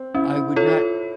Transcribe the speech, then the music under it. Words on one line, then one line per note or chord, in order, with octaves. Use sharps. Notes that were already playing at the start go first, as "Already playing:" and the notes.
I would not,
Already playing: C4
C#4 E4
F4 A4 C#5